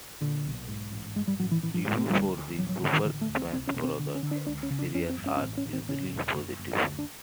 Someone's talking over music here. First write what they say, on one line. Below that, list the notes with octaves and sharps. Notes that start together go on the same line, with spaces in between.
Reviews for the "Super Smash Brothers" series are usually positive.
A#2 D3
B1
G#2
A1
G2 G#3
G3
A1 F#3
E3
A1 E3
F3
A2 G#3
A3
D2 G3
D2
A1 F#3
F#3
A1 D3
D#3
D3 D#3
A3
D2
C4
C2 C4
C#4
B2
C4
D3
C#4
D3
D4
C#2 D4
C#4
C#3
D4
F2 C#4
C4
G1
C#4
C#4
A1 C4
C#4
A1
C4
C#3 C#4
E1
F#1
F#1
D2
D4